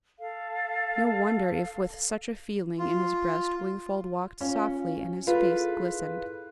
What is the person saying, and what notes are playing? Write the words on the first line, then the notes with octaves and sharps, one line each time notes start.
No wonder if with such a feeling in his breast Wingfold walked softly, and his face glistened!
A4 F5
F4
C#4 F4 C#5 F5
E4 F4 G#4 A4 B4